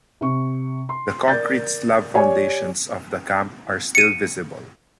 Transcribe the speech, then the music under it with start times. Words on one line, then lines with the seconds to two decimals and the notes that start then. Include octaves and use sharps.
The concrete slab foundations of the camp are still visible.
0.21 C3 C#6
0.89 C6
1.28 A#4 D5 G6 A6
2.15 G4 C#5 D5 G#5
3.95 C#7 D#7